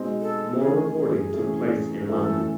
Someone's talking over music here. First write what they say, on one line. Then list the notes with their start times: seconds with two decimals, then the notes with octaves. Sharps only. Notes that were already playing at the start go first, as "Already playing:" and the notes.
More recording took place in London.
Already playing: B2 G#3 C4 D#4
0.21 A4
0.58 C3 E3 A3 C#4 G#4
0.96 G#4
1.33 C3 E3 A3 C#4
2.07 A2 E3 A3 C#4 E4 A4